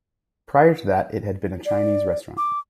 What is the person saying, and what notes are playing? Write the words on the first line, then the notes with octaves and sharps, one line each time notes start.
Prior to that it had been a Chinese restaurant.
D5
D6